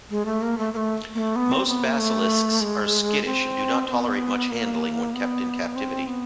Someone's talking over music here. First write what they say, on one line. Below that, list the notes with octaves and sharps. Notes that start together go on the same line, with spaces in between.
Most basilisks are skittish, and do not tolerate much handling when kept in captivity.
G#3
A3
A#3
A3
A#3
A3
A#3
A3
B3
C4
B3
A#3
A3
G#3
C4
C4
B3
A#3
B3
C4
B3